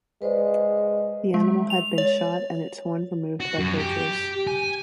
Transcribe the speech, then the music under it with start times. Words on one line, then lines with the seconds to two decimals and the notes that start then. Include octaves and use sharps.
The animal had been shot and its horn removed by poachers.
0.22 G#3 B4 C5 D5
1.34 G#3
1.70 F7
1.98 C#5
3.40 F#4
3.59 F#2
3.78 G4
4.47 G#5